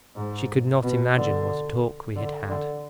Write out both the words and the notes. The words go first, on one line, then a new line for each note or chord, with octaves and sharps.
She could not imagine what a talk we had had.
G#2
B2
D3
D3
D3